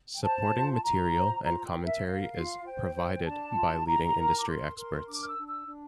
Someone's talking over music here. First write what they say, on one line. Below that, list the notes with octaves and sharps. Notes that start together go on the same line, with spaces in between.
Supporting material and commentary is "provided" by leading industry experts.
G5
C5 A5
F4
A5
F4 A#5
C5
F4 A#5
G5
A#4
E5
A#4 F5
F4
C5 G5
C5
D4 A5
F4
E4 A#5
A#4
D6
A#4 C6
A#4
D4 D6
F6
E6
D4
E6
D4